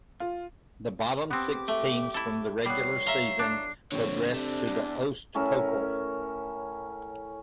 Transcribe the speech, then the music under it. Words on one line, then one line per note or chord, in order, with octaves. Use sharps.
The bottom six teams from the regular season progressed to the Ost Pokal.
F4
B3 C4 G4 D6
A3
E4 A4
G3 B3 C#5 C7
E5 F5 A#5 C6
D4
A#1 D3 C4 C#5
C3 A3 C4 D4
E2
A2 C#4 A#4 E5